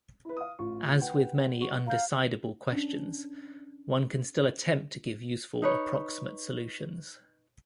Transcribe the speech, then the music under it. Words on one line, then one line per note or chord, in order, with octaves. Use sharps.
As with many undecidable questions, one can still attempt to give useful approximate solutions.
E4 B4
F5 D#6
A1 F4 C#6
B4 F#5 G5
F#4 C#6
F5 A#5 G6
C#4 D4
D#4 B4 C#5